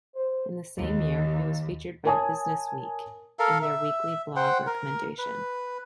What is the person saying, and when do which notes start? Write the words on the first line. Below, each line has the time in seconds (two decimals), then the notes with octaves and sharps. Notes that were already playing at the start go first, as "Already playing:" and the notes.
In the same year, it was featured by "BusinessWeek" in their weekly blog recommendation.
0.15 C5
0.77 D#2
2.05 A#4 C#5 G#5 A5 D#6
3.39 A4 A#4 F5
3.62 E5
4.36 C5 F#5 G5
4.67 A#4
5.18 B4